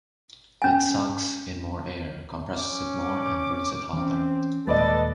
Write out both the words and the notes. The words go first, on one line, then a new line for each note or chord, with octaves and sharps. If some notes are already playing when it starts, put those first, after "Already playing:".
It sucks in more air, compresses it more, and burns it hotter.
C#4 G#5
C#4 D6
E3 C4 C#4
D#1 D#2 G#3 A4 B4 D5 D#5 A6